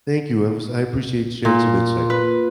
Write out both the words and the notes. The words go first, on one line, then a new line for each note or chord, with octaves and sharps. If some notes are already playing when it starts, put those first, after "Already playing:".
Thank you, it was I appreciate sharing some insight.
A#2
B4